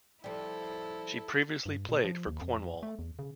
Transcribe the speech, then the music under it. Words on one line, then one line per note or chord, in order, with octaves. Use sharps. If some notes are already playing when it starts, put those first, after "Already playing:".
She previously played for Cornwall.
F3 G3 E4 A4
G2
A#2
F3
D#2
F2
A3
E2
C#3